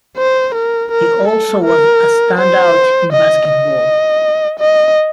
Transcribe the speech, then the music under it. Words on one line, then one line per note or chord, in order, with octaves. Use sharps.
He also was a standout in basketball.
C5
A#4
A#4
A4
A#4
C5
D#5
D#5
D#5